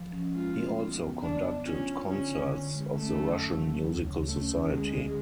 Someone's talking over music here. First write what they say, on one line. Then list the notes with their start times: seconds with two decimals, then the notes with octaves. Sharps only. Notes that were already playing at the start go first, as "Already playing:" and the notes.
He also conducted concerts of the Russian Musical Society.
Already playing: F3
0.13 C#4
0.34 G#3 F4
0.56 G#3
0.78 B3
1.00 B3
1.22 C#3 D4
1.44 F#3
1.65 C#4 F4
1.87 D4
2.09 D3 C#4
2.31 D3
2.53 D3
2.75 G#3
2.96 A3 C#4
3.18 F#3
3.41 F#3
3.62 F#3
3.84 D2
4.06 C#3
4.27 A3 C#4
4.50 C#4
4.72 D3 G#3
4.93 D3